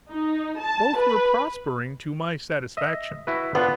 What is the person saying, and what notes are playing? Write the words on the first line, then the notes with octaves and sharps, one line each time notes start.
Both were prospering to my satisfaction.
D#4
A5
B4
D#5 E5
E4 F#4 B4
B3 D4 F4 F#5